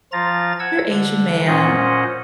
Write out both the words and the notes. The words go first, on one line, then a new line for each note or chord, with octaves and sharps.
Asian man
F3 F4 A#5 A6
F#5 E6 G#6
D3
A#2 C#4 C5 D#5 F#5